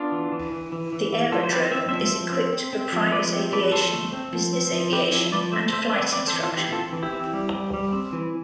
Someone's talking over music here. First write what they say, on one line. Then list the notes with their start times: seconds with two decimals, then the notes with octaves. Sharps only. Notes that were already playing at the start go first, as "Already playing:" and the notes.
The aerodrome is equipped for private aviation, business aviation and flight instruction.
Already playing: B3 D4 F4
0.12 E3
0.32 E3
0.52 E3
0.72 E3
0.93 E3
1.12 E3
1.32 F3 F4 A4
1.43 C5
1.52 C4 G4 B4
1.71 C4 E5
1.89 F3 C5 E5
2.13 F3
2.33 C4
2.53 C4
2.73 C4
2.93 F3
3.12 F3 B4 D5
3.32 C4
3.52 F3 B4 D5
3.64 B4
3.72 F3 A4 C5
3.93 A3
4.13 C4
4.33 F3
4.53 C4
4.72 F3
4.92 C4 G4 B4
5.12 F3 E4
5.32 F3 B4 D5
5.52 A3 C5 E5
5.72 A3 C5 E5
5.93 C4 B4 D5
6.12 C4 B4 D5
6.23 D5
6.27 A4 C5
6.33 E3
6.43 F4 A4
6.52 E3
6.57 E4 G4
6.72 C4 F4 A4
6.92 E3
7.03 E4 G4
7.12 C4
7.33 G3
7.53 G3
7.74 G3
7.92 C4
8.13 E3